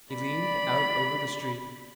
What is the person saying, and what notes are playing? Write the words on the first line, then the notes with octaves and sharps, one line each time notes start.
He leaned out over the street.
D5 B5